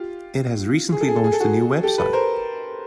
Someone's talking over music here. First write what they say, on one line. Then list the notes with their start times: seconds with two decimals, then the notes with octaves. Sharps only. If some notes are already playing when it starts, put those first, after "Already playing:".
It has recently launched a new website.
Already playing: F4 G4
0.92 G#4
1.00 A4
1.08 G#4
1.16 A4
1.24 G#4
1.32 A4
1.40 F#4 G#4
1.83 G4 A4
1.98 A4 B4
2.13 A#4 C5